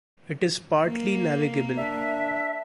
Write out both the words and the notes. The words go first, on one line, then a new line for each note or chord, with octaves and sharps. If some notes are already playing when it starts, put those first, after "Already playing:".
It is partly navigable.
A#3
D4 E5